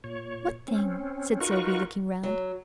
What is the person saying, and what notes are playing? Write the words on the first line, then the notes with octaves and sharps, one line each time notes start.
"What thing?" said Sylvie, looking round.
A#2 C#5
C4 C#4
D#4 F4 F#4 A#4 B4 C#6
F#3